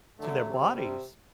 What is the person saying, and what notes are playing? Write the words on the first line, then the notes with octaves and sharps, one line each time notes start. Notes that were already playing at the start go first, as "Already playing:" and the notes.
to their bodies?
D3 F#3 A3
C3 F#3
G3
C3